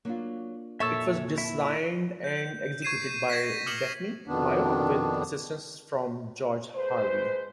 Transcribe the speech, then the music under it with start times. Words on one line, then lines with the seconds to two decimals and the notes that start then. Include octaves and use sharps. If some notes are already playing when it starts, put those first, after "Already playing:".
It was designed and executed by Daphne Mayo with assistance from George Harvey.
0.05 F#3 A#3 D4 F4
0.80 F2 A#2 A4 C#5 E5 E6
1.38 E4 E5
2.24 G6
2.82 C#6 G#6 C7 D#7 E7
3.28 G#6 A#6 B6 E7
3.66 D6 D#6 F6 C#7 E7 F#7
4.27 F2 B2 D#3 B3 D4
6.75 G#3 B4 C5